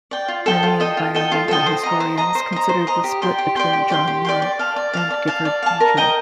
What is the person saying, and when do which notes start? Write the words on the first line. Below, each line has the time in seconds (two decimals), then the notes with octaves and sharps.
Many environmental historians consider the split between John Muir and Gifford Pinchot.
0.11 D5 G5
0.28 F4
0.46 A4 D#5 G5
0.63 F4
0.80 A4 D#5 G5
0.97 F4
1.15 A4 D#5 G5
1.31 F4
1.48 A4 D#5 G5
1.66 C5
1.83 D#5 A#5
2.00 C5
2.17 D#5 A#5
2.35 C5
2.52 D#5 A#5
2.69 C5
2.87 D#5 A#5
3.04 G4
3.22 D5 G5 C6
3.38 G4
3.56 D5 G5 C6
3.73 G4
3.90 D5 G5 C6
4.07 G4
4.25 D5 G5 C6
4.42 D5
4.59 F5 A5
4.76 D5
4.93 F5 A5
5.10 D5
5.27 F5 A5
5.45 D5
5.62 F5 A5
5.80 A#4
5.97 D#5 G5 A#5